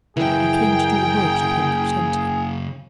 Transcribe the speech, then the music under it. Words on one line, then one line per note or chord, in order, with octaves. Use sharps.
He came to do the works of him that sent him.
F#2 C#3 E3 G#4 A#4 G5